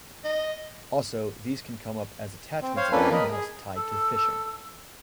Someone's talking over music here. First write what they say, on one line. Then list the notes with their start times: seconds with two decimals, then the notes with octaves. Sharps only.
Also, these can come up as attachments in emails tied to phishing.
0.24 D#5
2.62 C4
2.77 C5 C#5 F5
2.92 F2 A#3 C#4 D4 A4 B4
3.12 A#4 D#5 B5
3.31 G#4
3.77 A4 E6